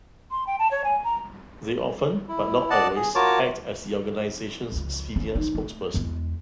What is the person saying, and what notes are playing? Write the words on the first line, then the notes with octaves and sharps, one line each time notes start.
They often, but not always, act as the organization's senior spokesperson.
C6
G5
A5
C#5
G#5
A#5
E4
D5 D#5 F#5 A5
G#4
F4 F#4 A#4 C#5 A5 D6
C#2 F3
C#4
E3 D#4
A3
E2 G#3